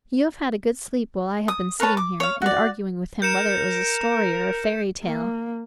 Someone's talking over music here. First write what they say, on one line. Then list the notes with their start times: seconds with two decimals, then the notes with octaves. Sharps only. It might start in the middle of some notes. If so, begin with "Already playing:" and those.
"You have had a good sleep while I have been sitting here, and arguing with him whether it was a story or a fairy tale."
1.48 D#6
1.80 A#4 B4 C#5 A5
1.97 D6
2.20 C#5 F5
2.42 F#4 D5
3.22 A#4 G6 C#7 E7
5.03 A#3